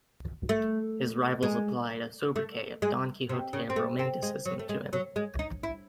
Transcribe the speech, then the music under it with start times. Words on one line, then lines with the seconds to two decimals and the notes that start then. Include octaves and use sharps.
His rivals applied a sobriquet of "Don Quixote of Romanticism" to him.
0.49 A3
1.43 G#3
2.36 A3
2.82 G#3
3.29 C3
3.53 C#3
3.70 C4
3.76 A3
3.99 C4
4.23 G#3
4.46 F#3
4.59 A3
4.69 G#3
4.93 F#3
5.16 G#3
5.39 D#4
5.63 E4